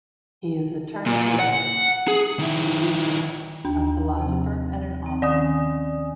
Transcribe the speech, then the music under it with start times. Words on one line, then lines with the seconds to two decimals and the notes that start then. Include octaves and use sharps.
He is a turntablist, a producer, a philosopher, and an author.
1.06 A#2
1.39 F#5
2.08 G#4
2.39 D#3 E4
3.65 D#2 D4
4.18 C3 F3 C4
5.06 C4
5.22 D#3 C#4 D5 G#5 D#6